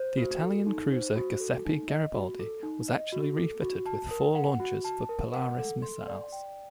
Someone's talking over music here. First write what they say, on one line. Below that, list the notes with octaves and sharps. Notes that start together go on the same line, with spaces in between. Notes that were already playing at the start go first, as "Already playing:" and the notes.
The Italian cruiser "Giuseppe Garibaldi" was actually refitted with four launchers for Polaris missiles.
Already playing: C5
F#4
A4
D#4
C5
F#4
A4
D#4
D#5
F#4
A4
D#4
D#5
F#4
A4
F#4
A5
A#4
F#5
F#4
A5
A#4
F#5
A4
C6
D5
G5